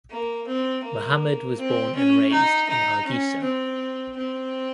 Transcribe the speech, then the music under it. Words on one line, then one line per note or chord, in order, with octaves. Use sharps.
Mohamed was born and raised in Hargeisa.
A#3
C4
A#3
C4
C#4
D#4
D#4
C#4
C4
C4